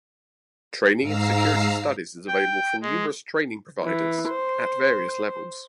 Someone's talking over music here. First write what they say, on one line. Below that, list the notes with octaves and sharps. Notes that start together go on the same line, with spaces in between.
Training in Security Studies is available from numerous training providers - at various levels.
G#2 F5 A#5 E6 C7
G5
G#3
E3
C5